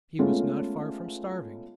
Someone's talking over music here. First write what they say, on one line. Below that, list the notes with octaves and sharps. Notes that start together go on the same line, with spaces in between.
He was not far from starving.
G#3 A3 B3 C#4 F4